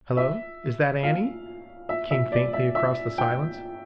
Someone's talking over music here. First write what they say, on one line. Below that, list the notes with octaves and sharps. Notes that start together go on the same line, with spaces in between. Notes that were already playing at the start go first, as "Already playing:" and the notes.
'Hello, is that Annie?' came faintly across the silence.
E5
F5
E5
E5
D5
E5
E5
G5